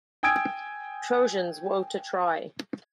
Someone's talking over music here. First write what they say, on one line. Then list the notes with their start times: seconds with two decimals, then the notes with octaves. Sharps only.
Trojans, woe to Troy!
0.23 G5 G#5 D#6 E6 G#6 D7